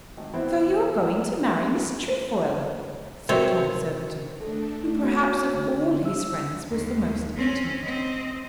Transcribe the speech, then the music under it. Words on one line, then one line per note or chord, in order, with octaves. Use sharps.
"So you're going to marry Miss Trefoil," said Tom Surbiton, who perhaps of all his friends was the most intimate.
G#1
E3 B3 C4 E4
C3 C4 F#4 A#4 B4 C#5
A3 D4 A4
F#4 C#5
D3
E6
D#2
C4 C#4
C4 D#5